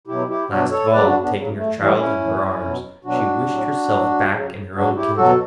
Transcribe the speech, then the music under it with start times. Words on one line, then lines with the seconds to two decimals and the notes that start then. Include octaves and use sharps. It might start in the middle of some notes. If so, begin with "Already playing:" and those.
Last of all, taking her child in her arms, she wished herself back in her own kingdom.
0.07 B2 F#3 E4 G4
0.28 E4 G4
0.49 B2 F#3 D4 F#4
0.70 A4 C#5
0.92 C#3 F#3 B4 D5
1.06 D4 F#4
1.20 B3 D4
1.34 C#3 F#3
1.56 A3
1.77 A2 E3 G3
1.98 C#4 E4
2.20 A2 E3
2.61 B2 F#3
3.04 B2 F#3 D4 F#4
3.47 A2 F#3
3.89 A2 F#3
4.32 C#3 F#3
4.74 C#3 F#3 D4 F#4
4.95 E4 G4
5.17 B2 F#3 F#4 A4